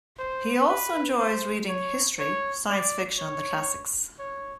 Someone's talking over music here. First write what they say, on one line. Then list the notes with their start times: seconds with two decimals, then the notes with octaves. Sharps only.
He also enjoys reading history, science fiction and the classics.
0.19 C5
0.69 B4
1.19 C5
1.69 C#5
2.19 C#5
2.69 D5
3.18 C#5
4.19 C#5